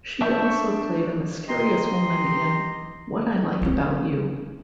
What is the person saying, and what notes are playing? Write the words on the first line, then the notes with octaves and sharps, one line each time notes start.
She also played a mysterious woman in "What I Like About You".
D4 E5 A5 C#6 G6
G4 D#5 A#5 C6
C4 E4